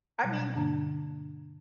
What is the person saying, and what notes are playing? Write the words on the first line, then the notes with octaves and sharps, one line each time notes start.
I mean,
B2 F#3 G3
G2 D3 A#3 D4 A5 A#5